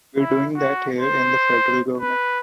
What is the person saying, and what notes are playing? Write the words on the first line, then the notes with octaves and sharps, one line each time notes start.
We’re doing that here in the federal government.
E4
F#4
C5
B4